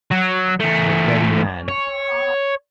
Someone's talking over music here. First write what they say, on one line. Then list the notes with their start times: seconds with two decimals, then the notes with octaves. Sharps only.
The very man.
0.11 F#3
0.60 E2 A3
1.69 C#5